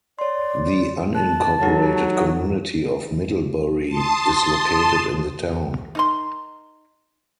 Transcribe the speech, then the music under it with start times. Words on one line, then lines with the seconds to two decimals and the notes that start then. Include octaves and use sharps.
The unincorporated community of Middlebury is located in the town.
0.19 C#5 D5 C6
1.15 A5 F#6
1.61 F#3 D#4 A4 F#5
3.89 A5 C6 D#6
5.95 D#4 A#4 C6